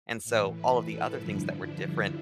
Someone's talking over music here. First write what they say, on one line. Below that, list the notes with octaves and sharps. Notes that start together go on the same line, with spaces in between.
and so all of the other things that were different
A2 E3
B4
A4
G2 D3 F3 E4
D4